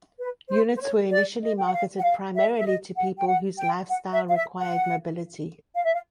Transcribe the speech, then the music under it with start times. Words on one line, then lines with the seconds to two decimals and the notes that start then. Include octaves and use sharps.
Units were initially marketed primarily to people whose lifestyle required mobility.
0.19 B4
0.50 C5
0.75 C5
0.80 C#5
1.11 D5
1.43 D#5
1.59 G5
1.66 F#5
1.73 F5
1.99 F#5
2.04 F5
2.35 E5
2.59 E5
2.66 D#5
2.97 F#5
3.18 G5
3.27 F#5
3.59 G5
3.89 F#5
4.13 E5
4.29 F5
4.35 E5
4.59 F#5
5.75 F5
5.85 E5
5.94 F5